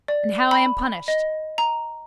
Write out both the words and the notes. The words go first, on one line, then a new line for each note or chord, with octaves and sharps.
And how I am punished!
D5
B5
D#5
A#5